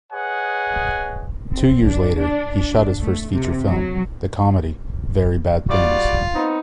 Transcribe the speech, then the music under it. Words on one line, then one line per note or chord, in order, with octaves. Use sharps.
Two years later he shot his first feature film, the comedy Very Bad Things.
G#4 B4 C#5 D#5 F#5 G#5
C4
D4
D4
D4
A3
C3
F#3
G3 F4 F#4 D5
B3 C4 D#4